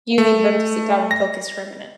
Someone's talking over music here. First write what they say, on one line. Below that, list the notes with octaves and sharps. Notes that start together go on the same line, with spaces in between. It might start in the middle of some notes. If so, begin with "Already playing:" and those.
you need them to sit down and focus for a minute.
A3
A#6